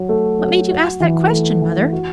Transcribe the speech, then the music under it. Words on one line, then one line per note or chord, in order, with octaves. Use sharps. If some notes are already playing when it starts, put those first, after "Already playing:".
"What made you ask that question, Mother?"
Already playing: F#3 F#4
A3
F#3
F#4
E3
A3
E3
F#4